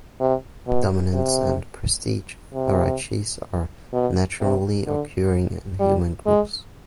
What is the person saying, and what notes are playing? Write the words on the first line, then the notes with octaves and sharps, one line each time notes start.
Dominance and prestige hierarchies are naturally occurring in human groups.
C3
B2
C3
C3
B2
C3
D3
G3
G#3